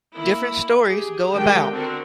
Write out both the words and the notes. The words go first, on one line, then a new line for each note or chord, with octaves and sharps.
Different stories go about.
A#3 E4
G4 G#4
D3 D#3 G#3 G4 G5
D3 C4 F#4 A#4